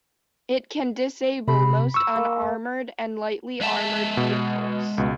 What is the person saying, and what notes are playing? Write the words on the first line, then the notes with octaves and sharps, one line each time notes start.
It can disable most unarmored and lightly armored vehicles.
C3 B5
C#6 E6
A#3
G#3 E5 A5
B2
C#2 B2